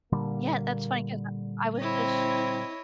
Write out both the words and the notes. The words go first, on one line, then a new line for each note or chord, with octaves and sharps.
Yeah, that's funny 'cause I I was just
A#2 D3 G3 A#3
C4 E4 C#5 D#5